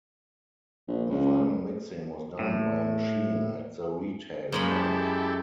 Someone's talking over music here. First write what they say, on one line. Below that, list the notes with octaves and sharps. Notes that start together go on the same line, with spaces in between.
The final mixing was done by a machine at the retail end.
A#1
C#2
A2
F#2 G#3 A#3 B5
E4 G4 A4